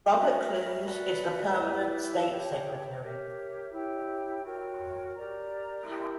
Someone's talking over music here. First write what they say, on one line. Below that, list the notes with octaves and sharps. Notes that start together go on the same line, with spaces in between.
Robert Kloos is the Permanent State Secretary.
F#4 A#4 E5 B5
F#4 B4 D5
E4 G4 B4
G4 C#5 G5
G4 A#4 C#5 E5
E4 G4 C#5 G5
F#4 A#4 C#5 G5
G4 A#4 D5 A#5
E4 G4 A#4